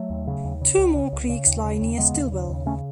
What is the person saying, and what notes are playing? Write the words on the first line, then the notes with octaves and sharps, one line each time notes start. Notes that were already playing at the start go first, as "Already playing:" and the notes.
Two more creeks lie near Stilwell.
Already playing: F#3 A3
D#2
C#3
D#2
C#3
C#2
C#3
C#2
C#3
D#2
C#3
D#2
C#3 G#3 B3
D#2
C#3
D#2
C#3 A3 C#4